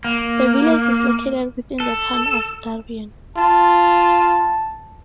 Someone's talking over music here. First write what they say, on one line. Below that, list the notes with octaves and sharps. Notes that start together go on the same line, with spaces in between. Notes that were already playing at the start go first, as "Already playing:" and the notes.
The village is located within the Town of Darien.
A#3
A4
F4 A5